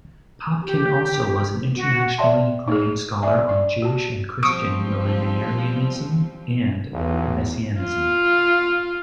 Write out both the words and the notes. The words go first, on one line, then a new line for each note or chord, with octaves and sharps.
Popkin also was an internationally acclaimed scholar on Jewish and Christian millenarianism and messianism.
G4
F#4
C#5 D5 E5 G5 A5 C6
D#4 G#4
D5 E5 G#5
D5
F#4 A5
F3 G3 C4 C#6 D#6 D7
B1 E2
F4